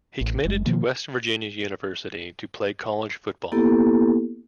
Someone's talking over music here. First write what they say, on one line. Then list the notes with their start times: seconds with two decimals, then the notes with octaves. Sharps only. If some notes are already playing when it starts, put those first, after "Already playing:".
He committed to West Virginia University to play college football.
0.21 A1
0.45 F#1 F#2 G#3
0.66 B2 D#3 F3 A#3
3.52 A#3 B3 E4 G4 A4